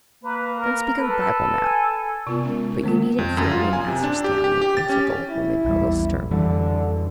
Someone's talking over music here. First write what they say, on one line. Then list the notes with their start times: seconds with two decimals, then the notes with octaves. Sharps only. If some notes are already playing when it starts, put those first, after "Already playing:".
'Don't speak of the Bible now; but you needn't fear me, Master Stanley,' answered the old woman, a little sternly.
0.24 A#3 B4
0.58 A#4
0.99 A4 B4
1.64 G#5
2.27 C3 B3 F4 D5
2.43 G#3 C#4 A#4
2.71 A#4
2.83 D#3 G#3 B3 F4
3.18 F2
3.37 F#2
3.52 F4
3.73 G#5
3.87 C3
4.03 D4
4.24 G4
4.44 G4
4.62 G4
4.77 A6
4.89 C#4
5.29 E4
5.65 A#1 E2 G3
6.31 F2 D3 E3 G3